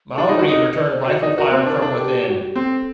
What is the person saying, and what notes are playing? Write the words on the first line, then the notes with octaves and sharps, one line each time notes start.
Maori returned rifle fire from within.
A4
D4 G4
D#4
A4
F#4
A#4
D#4 A4
D#5
D5
C5
F#4 D#5
D#4 D5
F#4 A#4
C4 C5
D4 A#4
D4 A4
G4
F#4
G4
C4 A4